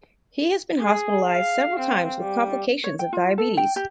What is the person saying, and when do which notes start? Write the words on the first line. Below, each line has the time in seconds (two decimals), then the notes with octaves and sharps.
He has been hospitalised several times with complications of diabetes.
0.81 G#4
1.29 F5
1.79 C4
2.21 G3
2.84 C#5
2.99 G5
3.13 F4
3.38 A4
3.57 G5
3.76 G4